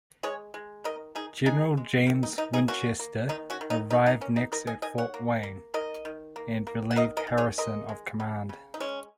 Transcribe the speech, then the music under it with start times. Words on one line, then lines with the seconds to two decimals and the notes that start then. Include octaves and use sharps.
General James Winchester arrived next at Fort Wayne, and relieved Harrison of command.
0.23 G#3 G#4 C#5
0.54 G#3
0.84 D#3 A#4 D#5
1.15 D#3 D#4 G#4
1.46 G#3 D#4 G#4
1.77 G#3
2.07 D#3
2.23 D#4
2.38 D#3 D#4
2.53 D#4 G#4
2.68 A#3 C#4 F#4
2.99 A#3
3.29 D#3 D#4
3.50 C#4 F#4
3.61 D#3
3.70 D#4
3.90 A#3 D#4
4.06 D#4
4.21 A#3 C#4
4.36 D#4
4.52 D#3 A#4 D#5
4.67 D#5 G#5
4.82 D#3 D#5 G#5
4.98 C#5 F#5
5.14 A#3
5.43 A#3
5.74 D#3 A#4 D#5
6.05 D#3
6.36 A#3
6.67 A#3
6.91 F#5
6.96 D#3 A#4 D#5
7.17 A#4 D#5
7.27 D#3
7.37 G#4 C#5
7.58 G#3 A#4 D#5
7.89 G#3
8.20 C#3
8.49 C#3
8.74 D#4
8.80 G#3 C#4